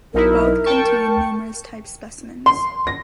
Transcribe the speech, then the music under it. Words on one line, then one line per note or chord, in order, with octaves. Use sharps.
Both contain numerous type specimens.
B1 D#4 E4 A#4
G5 A5 C#6
C6
A#6